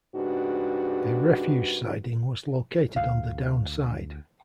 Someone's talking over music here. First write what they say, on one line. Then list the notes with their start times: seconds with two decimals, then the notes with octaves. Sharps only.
A refuge siding was located on the down side.
0.15 G#2 C#3 D4 F#4 G4 B4
2.96 D2 F5